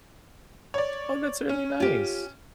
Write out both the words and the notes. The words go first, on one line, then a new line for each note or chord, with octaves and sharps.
Oh, that's really nice.
C#5 D5
C#4
F4 G4